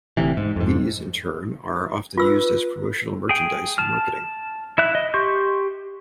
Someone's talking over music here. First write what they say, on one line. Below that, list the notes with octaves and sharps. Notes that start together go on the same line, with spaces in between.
These, in turn are often used as promotional merchandise in marketing.
D1 D2 C3 E3
G#2
F2 G#2
F4 B4 E6
G#4 G5
A5 F6
E4 E5 F#6
D#5
G4 C6 C#6 G6